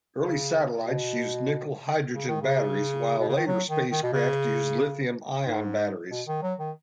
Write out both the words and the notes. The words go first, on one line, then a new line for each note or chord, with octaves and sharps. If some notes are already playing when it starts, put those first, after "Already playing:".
Early satellites used nickel-hydrogen batteries, while later spacecraft use lithium-ion batteries.
C#3
B2
C#3
D#3
C#3
B2
C#3
D#3
F#3
D#3
D#3
B2
C#3
G#2
B2
D#3
F#3
D#3